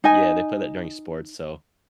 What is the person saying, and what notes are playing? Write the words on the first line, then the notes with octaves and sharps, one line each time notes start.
Yeah, they played that during sports, so
D#4 D#5 G#5